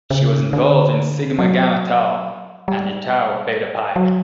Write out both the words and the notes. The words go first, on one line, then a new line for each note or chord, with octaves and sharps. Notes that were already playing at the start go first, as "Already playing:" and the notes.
She was involved in Sigma Gamma Tau and Tau Beta Pi.
C#3
D3
F#3
G3
F#3